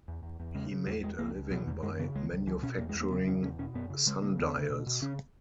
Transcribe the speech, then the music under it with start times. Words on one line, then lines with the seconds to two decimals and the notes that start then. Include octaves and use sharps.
He made a living by manufacturing sundials.
0.08 E2
0.23 E2
0.40 E2
0.55 C#3 G#3
0.71 C#3
0.87 E2 F#3
1.03 E2 G#3
1.19 C#2 A#3
1.35 C#2
1.51 B2 F#3
1.67 E2
1.83 F#2 G#3
1.99 C#3 B3
2.15 C#2 G#3
2.31 C#2
2.47 C#2 E3
2.63 B2 C#4
2.78 E2 A#3
2.89 G#3
2.95 E2
3.01 A#3
3.11 C#3 B3
3.27 E2 C#4
3.43 E2 C#4
3.59 B2 C#4
3.74 F#2 B3
3.90 C#3
4.06 C#3 G#3
4.22 C#3 A#3
4.38 D#2 B3
4.55 C#3
4.70 B2
4.87 B2
5.02 C#3 C#4